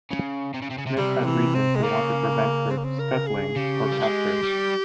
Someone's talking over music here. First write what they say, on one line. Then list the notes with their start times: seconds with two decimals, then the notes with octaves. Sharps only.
Smith had reason to want to prevent her scuttling or capture.
0.11 C#3
0.54 C3
0.62 C#3
0.71 C3
0.78 C#3
0.87 C3
0.97 C3 G3
1.26 E3
1.55 C4
1.76 G#3
1.83 C#3 A#3
2.71 C4
2.78 A#3
2.84 C4
2.99 A#4
3.27 G#4
3.56 C#3 G4
3.92 G3
4.00 G#3
4.43 G3